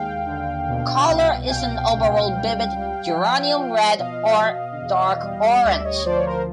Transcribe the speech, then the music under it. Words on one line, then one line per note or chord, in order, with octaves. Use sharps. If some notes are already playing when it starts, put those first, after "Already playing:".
Colour is an overall vivid geranium red or dark orange.
Already playing: D#2 G#3 F5 G5
D3
B2
C2
G#5
B2 F5 G5
C#2
G3
G3
F3
F3
B2 D#5 F5
B2
E2
G3
D2 D5 E5
C#5 D#5
F3 C5 D5
C#5
A#4 C5